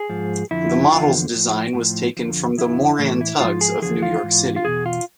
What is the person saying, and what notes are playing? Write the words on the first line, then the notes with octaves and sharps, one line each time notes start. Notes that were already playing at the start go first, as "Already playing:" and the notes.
The models' design was taken from the Moran Tugs of New York City.
Already playing: G#4
G#2 F3
F2 D3 F3 E4
E2 D3 F3 F4
A2 F3
A2 F3
F2 D3 F3
F2 D3 F3 E4
A2 E3 A3
E4
G#2 F3 F4
G#4
E2 D3 F3 G#4
F4
G#2 E3
F4
E2 B2 G#4
F4